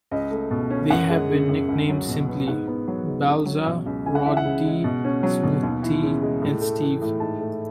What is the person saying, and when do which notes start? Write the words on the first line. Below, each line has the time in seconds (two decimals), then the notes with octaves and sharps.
They have been nicknamed simply Balja, Rod D., Smooth T. and Steve.
0.11 C#2 D#5
0.31 A3
0.51 B2
0.70 C#4
0.90 F#2 F#5
1.10 G#3
1.30 C#3
1.49 F#2
1.69 C#2
1.89 F#3
2.08 B2
2.28 B3
2.48 G#2 F#5
2.68 B3
2.88 F#3
3.07 G#2
3.26 C#2
3.46 F#3
3.66 B2
3.86 C#2
4.06 C#2 G#5
4.15 F#5
4.25 E3 E5
4.37 F#5
4.45 C#3
4.65 G#3
4.84 B2
5.04 C#4
5.23 F#3
5.43 B2
5.63 D#2
5.83 E3
6.03 C#3
6.22 G#3
6.42 A2
6.61 A3
6.82 E3
7.01 A2
7.20 G#2 A5
7.41 A3